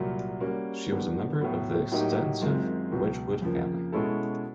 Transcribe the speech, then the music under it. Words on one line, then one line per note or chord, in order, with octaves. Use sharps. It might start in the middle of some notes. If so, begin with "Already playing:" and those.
She was a member of the extensive Wedgwood family.
Already playing: C2 A#2 F#3
G3 A#3 C#4 F#4
G2 D#3 F#3 B3
A2 F#3 B3
A2 F#3 A#3 D#4 G4
F#2 D#3 G#3 C4 F4
C#2 B2 F#3
F2 C#3 F3 A#3
B2 G#3 C#4 E4 A4